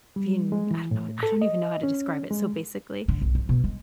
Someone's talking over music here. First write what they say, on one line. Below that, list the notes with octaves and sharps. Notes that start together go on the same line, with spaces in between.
being I don't I don't even know how to describe it. So, basically
G3
G#3
E3
A2
A4
D#5
C#4
G#3
D3
B1
F2
B2
G#3